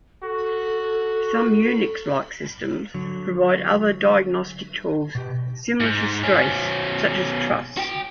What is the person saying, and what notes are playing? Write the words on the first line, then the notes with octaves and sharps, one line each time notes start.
Some Unix-like systems provide other diagnostic tools similar to strace, such as truss.
F#4 A4
D3 F#3
B2 G4
G#2
B2 C#4
F#4 G5